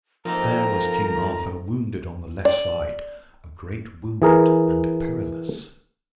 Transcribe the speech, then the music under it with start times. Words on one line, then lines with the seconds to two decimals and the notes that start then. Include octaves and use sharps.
And there was King Arthur wounded on the left side, a great wound and a perilous.
0.25 F3 A3 A#3 C4 D#4 A#4 A#5
2.45 D5
4.22 E3 G#4 A#4